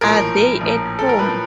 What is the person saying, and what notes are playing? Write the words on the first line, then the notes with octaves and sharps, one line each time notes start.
Are they at home?
A#1 A2 F3 A#4
A#1 A2 F3
A4
A#4
A#1 A2 F3 B4